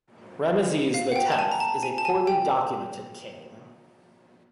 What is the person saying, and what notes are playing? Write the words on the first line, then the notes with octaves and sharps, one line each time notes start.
Ramesses the Tenth is a poorly documented king.
F5
F#5
G5
A5
G#5
A#5
A5
G#5
A5
G#5
G5